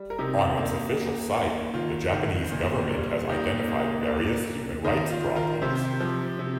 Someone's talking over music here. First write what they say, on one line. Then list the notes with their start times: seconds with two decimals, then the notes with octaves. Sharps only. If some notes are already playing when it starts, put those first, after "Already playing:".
On its official site, the Japanese government has identified various human rights problems.
Already playing: G3
0.10 A#4
0.18 C3 D#4 G4
0.57 A#3
0.97 A#3
1.35 A#3
1.74 D#3 F4
2.13 D#3
2.52 A#2
2.91 G3
3.29 A#2 D#4 G4
3.68 A#3
4.07 A#3
4.46 A#3
4.84 D#3 D#4
5.10 F4
5.24 D#3
5.36 F4 A#4
5.62 C3 G4 C5
6.00 F3
6.39 C3